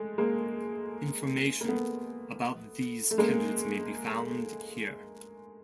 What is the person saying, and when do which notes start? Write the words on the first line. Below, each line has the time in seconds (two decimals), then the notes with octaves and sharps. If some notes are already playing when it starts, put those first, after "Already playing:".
Information about these candidates may be found here.
Already playing: G#3 A3
0.18 G#3 A#3
1.61 A#3
1.68 A3 B3
3.11 A3
3.18 G#3 A#3